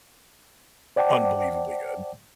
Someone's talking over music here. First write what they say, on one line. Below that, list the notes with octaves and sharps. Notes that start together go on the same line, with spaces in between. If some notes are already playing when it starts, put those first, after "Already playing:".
unbelievably good.
C5 D5 F#5 G5 A5 D6